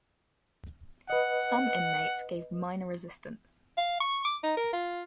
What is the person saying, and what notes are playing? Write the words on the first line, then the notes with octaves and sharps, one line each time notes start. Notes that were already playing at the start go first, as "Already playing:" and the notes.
Some inmates gave minor resistance.
B4 D#5 F#5
F5
C#6
D6
D#4
A#4
F4